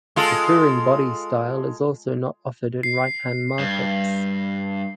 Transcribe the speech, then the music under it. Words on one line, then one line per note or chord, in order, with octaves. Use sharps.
The Touring body style is also not offered in right hand markets.
G#3 F4 A4
C7
G2